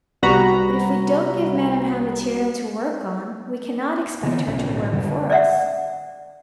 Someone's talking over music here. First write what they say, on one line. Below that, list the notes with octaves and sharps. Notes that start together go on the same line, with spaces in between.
But if we don't give Madam How material to work on, we cannot expect her to work for us.
C2 G3 B3 F#4 A#5 B5
D3 E3 B3
B1 A2 D3 C#4
F#2 D3 G3 G#3
D5 E5 F#5